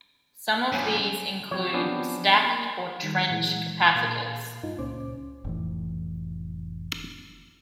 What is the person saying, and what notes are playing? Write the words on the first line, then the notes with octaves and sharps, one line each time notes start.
Some of these include stacked or trench capacitors.
F#2 A#2 C#4
F3 C4 G4 C#5
B3 C#4 D4
A#3
D#3 G3
A#2 E3 G#3
A#2 A#3 F5 C7
G2 D#4 F4
C#2 A#2 C#4 C5 D6
F1 A2 E3